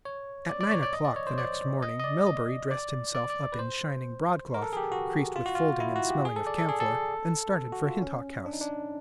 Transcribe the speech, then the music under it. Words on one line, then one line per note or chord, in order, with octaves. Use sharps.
At nine o'clock the next morning Melbury dressed himself up in shining broadcloth, creased with folding and smelling of camphor, and started for Hintock House.
C#5
D5
D5
C#5
D5
D#5
D5
C#5
C5
D5
D#5
D#5
D5
D#5
D5
D5
D5
B4
C5
A#4
A4
G#4
G4
F#4
F4
F#4
F4
E4
F#4
G4
G#4
A4
D5
A4
G#4
A4
F#4
F4
C#4
D4
D#4
D4